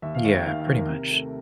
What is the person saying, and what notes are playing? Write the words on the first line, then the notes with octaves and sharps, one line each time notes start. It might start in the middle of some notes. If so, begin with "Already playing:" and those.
Yeah, pretty much.
D#2 E5
F5
D#2 E5
D#3 F5
E5
D#2
A#4
C3
A3